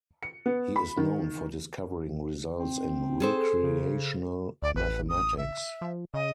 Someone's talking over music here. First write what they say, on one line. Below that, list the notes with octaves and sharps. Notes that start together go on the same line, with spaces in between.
He is known for discovering results in recreational mathematics.
C#7
B3
B5
D#3
C4
G#4 A4 C5
C#3
D2 D5
A1 B4
D#6
E5
F3
C#3 D#5